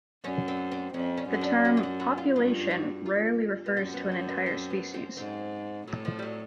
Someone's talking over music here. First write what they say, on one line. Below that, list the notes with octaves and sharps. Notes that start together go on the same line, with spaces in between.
The term "population" rarely refers to an entire species.
F#2 C#4
C4
C4
F2 C#4
C#4
F#2
D4
F#4
F4
F#4
F#4
F4
G2 F4
F#4
F4
B3
F#2 C4
B3
C4
B3
C4
B3
C4
G#2 C4
A2 F#3
F3
G3
F#3